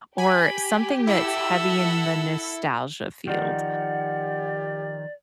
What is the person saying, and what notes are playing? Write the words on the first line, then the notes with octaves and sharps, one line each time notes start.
or something that's heavy in the nostalgia field.
G4 G#5 B5
E4 A4 E5 F#5 A5 E6
D#3 F3 D#4 G4 D5 F#5